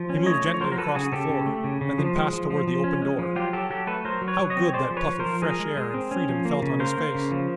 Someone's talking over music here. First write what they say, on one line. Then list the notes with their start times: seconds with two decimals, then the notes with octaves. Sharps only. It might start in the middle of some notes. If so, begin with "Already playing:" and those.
He moved gently across the floor, and then passed toward the open door. How good that puff of fresh air and freedom felt on his face!
Already playing: F3
0.10 C#4
0.26 A3 C#5 D#5
0.44 F3
0.54 C#5
0.61 F#3 A#4 C5
0.72 A#4
0.78 F#3 A4 B4
0.95 C#3 F#4 G#4
1.12 C#3 G4 A4
1.29 C#3
1.46 A3
1.64 C#3
1.81 C#3
1.98 F3
2.15 G#3
2.33 F3
2.50 F3
2.67 F3
2.84 C#4
3.02 G#3
3.19 F3
3.36 F#3 F4 G4
3.53 F#3 G4 A4
3.70 F#3 G4 A4
3.87 A3 A4 B4
4.05 F#3 A#4 C5
4.21 F#3
4.28 B4 C#5
4.39 F#3
4.50 C#5 D#5
4.56 C4
4.69 C#5
4.74 G#3 C5 D5
4.90 F3
4.97 B4 C#5
5.08 F3
5.19 A#4 C5
5.26 F3
5.42 G#3 G#4 A#4
5.59 G#3
5.77 G#3
5.94 C4
6.11 C#4
6.29 F3
6.45 A#3
6.62 C#3
6.80 A#3 A#4 C5
6.98 A#3
7.15 C#3
7.32 F3